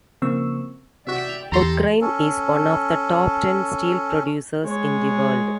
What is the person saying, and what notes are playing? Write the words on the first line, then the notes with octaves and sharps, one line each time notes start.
Ukraine is one of the top ten steel producers in the world.
C#3 F3 A#3 C4 C#6 E6
C3 F#4 D5 E5 G5
E2 G4 A4 A#5 C6 A#6
C#4 A4
G#3 C#5